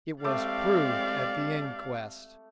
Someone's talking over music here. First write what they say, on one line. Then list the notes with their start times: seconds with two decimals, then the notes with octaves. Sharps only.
"It was proved at the inquest."
0.24 G#3 A3 C4 G4 D5 F5 D6